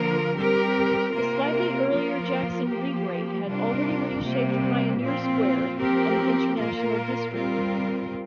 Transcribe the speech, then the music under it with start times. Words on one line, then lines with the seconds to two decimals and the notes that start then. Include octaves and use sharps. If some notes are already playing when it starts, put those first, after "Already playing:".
The slightly earlier Jackson Regrade had already reshaped Pioneer Square and the International District.
Already playing: D3 F3 A#3 F4 A#4
0.36 G3 C4 G4 A#4
1.13 C3 A#3 F4 A#4
1.91 F3 A#3 F4 A#4
2.68 F3 A#3 G4
3.46 C3 G3 D4 F4 A#4
4.23 C3 G3 A#3
5.00 A#2 F3 C4 F4
5.78 F3 C4 G4 A#4
6.56 A#2 A#3 F4 A#4
7.34 G3 C4 F4 A#4